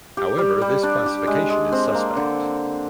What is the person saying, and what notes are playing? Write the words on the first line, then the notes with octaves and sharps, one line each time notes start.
However, this classification is suspect.
G4
G3
G3
D4
G4
G#3
G#3
C4
A#3
D3